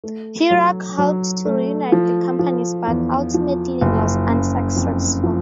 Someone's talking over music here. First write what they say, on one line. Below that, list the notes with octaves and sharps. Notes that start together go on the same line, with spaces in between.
Hurok hoped to reunite the companies, but ultimately was unsuccessful.
A3
F#3
F#3
A3
F3
F3
E2
F3
F#1
C#3
F2
F3